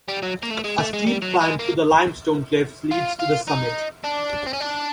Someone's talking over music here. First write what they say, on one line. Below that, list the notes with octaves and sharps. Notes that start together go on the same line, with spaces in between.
A steep climb through the limestone cliffs leads to the summit.
G3
F#3
A#3
A3
G#3
A3
G#3
G3
F#3
G#3
A#3
F4
F4
D#4
D4
C4
C#4
D4